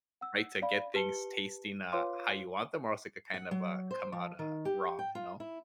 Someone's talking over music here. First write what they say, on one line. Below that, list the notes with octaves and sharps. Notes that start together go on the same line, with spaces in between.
right, to get things tasting, uh, how you want them, or else it could kind of, uh, come out, uh, wrong, you know?
F#5 E6
D5 F5 B5
G4 B4 A5 C#7 G7
F4 B4 C#5 F5 C6 D6
F#5
F#3
C5
F3
D#3
G4
G5
F4
E4